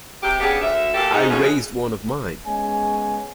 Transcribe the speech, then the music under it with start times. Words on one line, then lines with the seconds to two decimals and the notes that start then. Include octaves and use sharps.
I raised one of mine.
0.23 C3 G4
0.39 C#3 B3 D4 G4 G#4
0.61 D2 E5
0.94 A#2 G4 A4
1.13 G#2 D#4
1.29 D2 B2 F3 C#4 G#4
2.46 G#3 B3 C#4 G#5